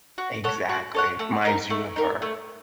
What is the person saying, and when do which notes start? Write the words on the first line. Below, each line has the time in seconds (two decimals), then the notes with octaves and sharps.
Exactly, minds you of her.
0.18 F#4
0.44 A4 C#5 F#5
0.69 F#4
0.94 A4 C#5 F#5
1.19 A3
1.45 D#4 A#4
1.70 A3
1.96 D#4 A#4
2.22 A3